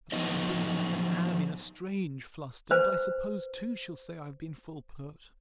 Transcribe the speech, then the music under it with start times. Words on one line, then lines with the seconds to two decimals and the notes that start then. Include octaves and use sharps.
But I have been, and am, in a strange fluster; and I suppose too, she'll say, I have been full pert.
0.12 F3 F#3 B3 D#4 B4 D#5
2.71 B4 C5